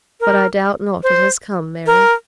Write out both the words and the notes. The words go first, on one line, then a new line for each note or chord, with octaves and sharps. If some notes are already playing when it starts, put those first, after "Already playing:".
"But I doubt not it has come, Mary."
A#4
C5
A#4